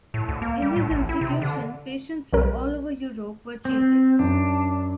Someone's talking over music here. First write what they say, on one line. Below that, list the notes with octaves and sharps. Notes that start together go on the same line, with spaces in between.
In his institution patients from all over Europe were treated.
A2
D2
A#3
G3
A2
A1
E4
C3
D3
B1 G3 A#4
C4
F#2 D4